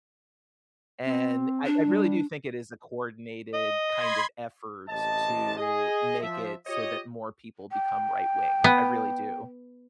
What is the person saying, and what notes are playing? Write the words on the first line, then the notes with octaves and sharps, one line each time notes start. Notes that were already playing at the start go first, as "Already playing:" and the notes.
and I I really do think it is a coordinated kind of effort to make it so that more people become right wing. I really do.
C4
D4
G3
D#5
B5 C6 G#6
A1 C3 D#5 A5
G#4 D#5
F3 E5
F4 G4 C#5 D#5
G5
B3